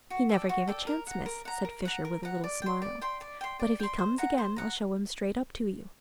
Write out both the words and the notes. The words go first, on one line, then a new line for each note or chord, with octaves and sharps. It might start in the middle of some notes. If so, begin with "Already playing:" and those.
"He never gave a chance, miss," said Fisher, with a little smile, "but if he comes again I'll show him straight up to you."
F#4
A4 D5 G5
F#4
A4 D5 G5
A#4
F#5 A#5
A#4
F#5 A#5
A#4
F#5 A#5
A#4
F#5 A#5
D5
G5 C6
D5
G5 C6
D5
G5 C6
D5
G5 C6
C5
F#5 A#5
C5
F#5 A#5